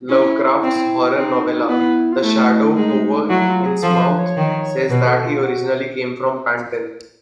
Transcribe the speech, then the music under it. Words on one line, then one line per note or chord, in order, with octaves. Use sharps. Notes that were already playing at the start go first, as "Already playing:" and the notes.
Lovecraft's horror novella "The Shadow Over Innsmouth" says that he originally came from Panton.
C#4 E4
C4
C4 D#4
F4
B3 E4
F4
A3 E4
G#3 D#4
D#4
D#4
F#3 E4
F4
G#4
F3 A4
B4
C#5
D#3
B2 B4
A4
F4
F#4